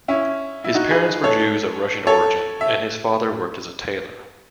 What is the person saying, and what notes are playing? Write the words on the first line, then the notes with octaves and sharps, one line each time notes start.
His parents were Jews of Russian origin and his father worked as a tailor.
C#4 E4
E4
D#4 F#4
G#4 B4
A4 C#5
A4 C#5
E5